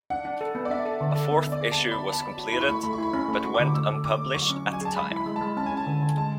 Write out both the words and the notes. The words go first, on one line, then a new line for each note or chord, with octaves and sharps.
A fourth issue was completed but went unpublished at the time.
D4 F#5
D4
A4
B3
D5
D4 E5
A4
D3
A4 D5
B3
D4
D5
G#4
B3 A5
B3 B5
B3
A5
C#5 B5
F#4
E4 B5
C#6
A3 B5
A3 B5
C#6
E4 B5
C#4 B5
A3 C#6
F#4
D6
D3
A3 E6
A4
D4 D6
A3
F#3 C#6
C#4
F#3
G#5
G#4 A5
G#3 B5
E4
B5
G#3
A5
G#3
C#4 A5
G#5
C#4
A5
D3
D3
G#3 A5